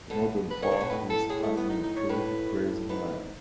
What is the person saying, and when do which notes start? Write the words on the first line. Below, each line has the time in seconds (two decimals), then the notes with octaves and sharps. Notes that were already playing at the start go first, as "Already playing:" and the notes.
The northern part is unimproved grazing land.
0.10 B2 A4
0.51 B4
0.62 D#3 C#5
0.71 C#3
0.77 B2 C#5
0.90 A2 B4
1.10 A4
1.29 A2 G#4
1.43 A3
1.57 B3
1.70 D#4
1.83 D#4
1.97 C#5
2.09 A2 B4
2.89 G#2 B4